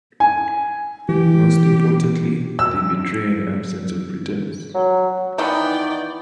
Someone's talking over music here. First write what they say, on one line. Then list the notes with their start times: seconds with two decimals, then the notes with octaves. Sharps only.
Most importantly, they betray an absence of pretense.
0.20 G#5
1.09 E3 G4
2.59 E6
4.75 F#3
5.38 D#3 E3 B3 D#4 E4 D5 G5